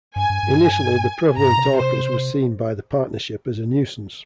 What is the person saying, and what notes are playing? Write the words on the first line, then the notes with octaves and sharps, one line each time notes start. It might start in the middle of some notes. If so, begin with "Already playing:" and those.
Initially the prevalent orcas were seen by the partnership as a nuisance.
G2 G#5
G2
G2
G#2 A#5
G2
C3
C3
C5